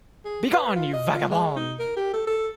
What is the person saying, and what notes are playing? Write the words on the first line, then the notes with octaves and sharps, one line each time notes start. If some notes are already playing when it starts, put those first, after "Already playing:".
Begone, you vagabond!
G#4
B4
F4
D#5
F4
G#3
D#4
A#4
G4
A4
A4